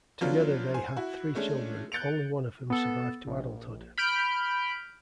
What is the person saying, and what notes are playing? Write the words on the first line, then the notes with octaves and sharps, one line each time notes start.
Together they had three children, only one of whom survived to adulthood.
F3 F#3 B3 C#4 D4 F4
C5 G#5
E4 F#4
G#3 A3 C#4 D4 G#4
F#6 G6 A6 C#7 D7 F7
B3 A4
A#1
B5 F6 G6 D7